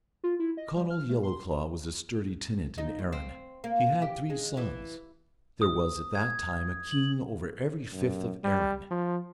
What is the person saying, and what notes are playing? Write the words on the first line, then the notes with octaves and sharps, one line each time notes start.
Conall Yellowclaw was a sturdy tenant in Erin: he had three sons. There was at that time a king over every fifth of Erin.
F4
E4
D#5
G3
F6
A3
C6
D#4
D#2
C4
A#3
G4
G#3
E3
D#6
G#6
F#7
F#2
G3
F3